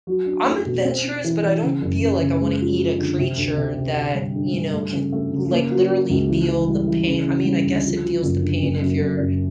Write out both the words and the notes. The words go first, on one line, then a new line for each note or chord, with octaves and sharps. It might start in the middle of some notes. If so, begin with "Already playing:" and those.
I'm adventurous, but I don't feel like I wanna eat a creature that, you know, can, like, literally feel the pain I mean, I guess it feels the pain if you're
F#3
D4
A3
B2
C4
C4
E3
E3
C#3
F#1
F#1
C#3
G#3
F3
F3
D3
C3
D2
C3
C3
D3
G2
D3
G2
A3
C#3
A3
C#3
A#3
F#3
F#3
C#2
E3
E3
G3
E3
C#3
C#3
G3
D2
F3
F3
F#1
D3
F#1
F#2
F#2
F#1